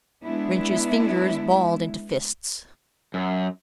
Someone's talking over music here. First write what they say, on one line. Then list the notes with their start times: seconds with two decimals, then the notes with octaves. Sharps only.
Rynch's fingers balled into fists.
0.25 G#3 B3 D4 E4
3.14 F#2